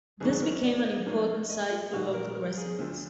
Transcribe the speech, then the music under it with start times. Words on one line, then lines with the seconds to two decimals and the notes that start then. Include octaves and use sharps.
This became an important site for local residents.
0.20 G#1 G#2 F#3 D4 G#4
0.42 A#4
0.63 D5
0.85 D#5
1.06 G#2 F3 A#3 D4
1.50 D#5
1.71 F4
1.92 A#1 G#2 D#3 F#4
2.14 A#4
2.35 A#4
2.57 G#4
2.79 D2 D3 F3